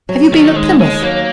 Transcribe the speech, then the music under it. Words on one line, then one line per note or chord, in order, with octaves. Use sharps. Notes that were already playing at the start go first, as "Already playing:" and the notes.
'Have you been at Plymouth?
F#3
D#3 A3
D#2 G#3
D#2 G#3
F#3 A#3